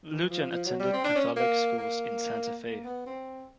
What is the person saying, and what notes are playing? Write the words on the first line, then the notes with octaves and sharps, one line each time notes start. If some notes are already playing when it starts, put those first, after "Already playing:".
Lujan attended Catholic schools in Santa Fe.
E3
F3
F3
F#3
G3
C4
D4
C#4
A#3
A#3
A#3
B3
C4